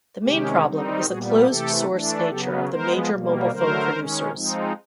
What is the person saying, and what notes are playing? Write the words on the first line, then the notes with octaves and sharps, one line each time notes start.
The main problem is the closed-source nature of the major mobile phone producers.
C3 D#3 G#3 C#4 G4
D#3 G3 C4 D#4
A#2 G3 B3 F#4 G#4
C3 E3 A3 G4 A4
E3 A3 D4
C#3 F#3 B3 G4 A4
F3 G#3 B3 A#4 C5
B2 G3 A#3
D3 F#3 A3 A#4 C5
D#3 G#3 C#4
F3 G#3 C4 D#4